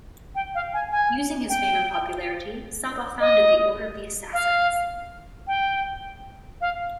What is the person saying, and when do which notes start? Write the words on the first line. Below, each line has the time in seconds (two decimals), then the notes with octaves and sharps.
Using his fame and popularity, Sabbah founded the Order of the Assassins.
0.35 G5
0.55 F5
0.73 G#5
0.92 G#5
1.49 G5
3.20 D#5
4.33 F5
5.47 G5
6.61 F5